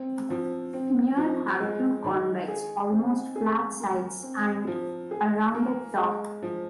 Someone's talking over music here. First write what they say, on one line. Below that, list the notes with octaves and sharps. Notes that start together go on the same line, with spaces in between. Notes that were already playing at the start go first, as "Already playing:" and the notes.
Mere have two convex, almost flat sides and a rounded top.
Already playing: C4
F3
C4
F3
G#3
D#3
G#4
C4
G#4
A#3
C4
F3
G#4
A#3
G#3
F3